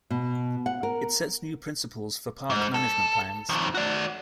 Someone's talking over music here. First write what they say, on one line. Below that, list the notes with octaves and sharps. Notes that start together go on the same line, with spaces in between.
It sets new principles for park management plans.
B2
F#5
A#4
G#2
A4
F2 D#3
F#4 D5